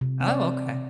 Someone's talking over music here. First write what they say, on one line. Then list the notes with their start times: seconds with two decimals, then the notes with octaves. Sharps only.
Oh, okay.
0.01 C3
0.20 C4
0.28 D5